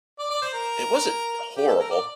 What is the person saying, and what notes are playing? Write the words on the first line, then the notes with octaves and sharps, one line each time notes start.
It wasn't horrible.
D5
D5
C5
A#4
G4
A4
A#4
D5